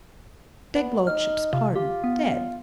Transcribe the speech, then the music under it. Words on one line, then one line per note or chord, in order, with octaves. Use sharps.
"Begludship's pardon--dead."
B3
D#4 F6
C3 F4
F4 G4
B3